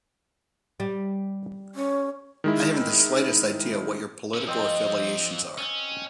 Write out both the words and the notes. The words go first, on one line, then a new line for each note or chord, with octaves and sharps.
I haven't the slightest idea what your political affiliations are.
G3
C#4
D#3 G#3 E4
C#4 E4
F2 C4 D#5
C#4